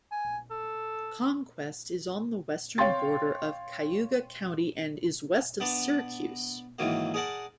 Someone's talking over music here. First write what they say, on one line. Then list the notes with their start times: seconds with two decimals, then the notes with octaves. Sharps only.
Conquest is on the western border of Cayuga County and is west of Syracuse.
0.12 G#5
0.51 A4
2.78 C#5 F5 G5 C6 A6
5.60 B3 D4 A5
6.79 G#2 D#3 E3 F#3 A#3
7.14 G#4 A#4 D5 F#5 A5